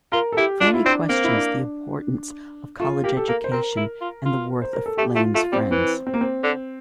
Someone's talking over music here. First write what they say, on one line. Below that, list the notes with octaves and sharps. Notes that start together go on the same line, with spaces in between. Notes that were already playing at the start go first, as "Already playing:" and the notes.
Franny questions the importance of college education and the worth of Lane's friends.
F4 A#4
A4
E4 G4
D4 F4
E4
C4 D4
A#3 C4
E4
D4
A3 F4
A#3 G4
A4
A#3 A#4
C5
C4 A#4
E4
F4
F4
C5
A#4
A4
A3 G4
A3 F4
A3 F4
G3 C4
E3 C4
C4
A#3
C4
D3